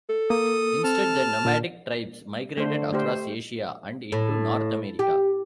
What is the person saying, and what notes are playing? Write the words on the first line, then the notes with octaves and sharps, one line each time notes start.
Instead, the nomadic tribes migrated across Asia and into North America.
A4
A#3 D#6
C4 A5 F6
A#2
D3 A3 C5
A3 G4 C5
A2
G4